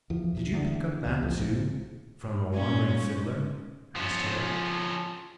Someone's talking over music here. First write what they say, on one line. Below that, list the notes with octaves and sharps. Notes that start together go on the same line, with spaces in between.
"Did you pick up that, too, from a wandering fiddler?" asked Harry.
E2 F3
E2
E2 D3
C#2 C3 B3
A1 A2 F3
A#1 G#2 C3
A#2 C#4
G#2
F3 C#4